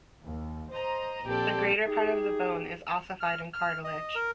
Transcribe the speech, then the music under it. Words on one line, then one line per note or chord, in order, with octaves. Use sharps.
The greater part of the bone is ossified in cartilage.
D#2
C5 D#5 A#5
A#1 C4 G4 A4 D5
D#4 G4 G#4
F6
F6
D#5
A#4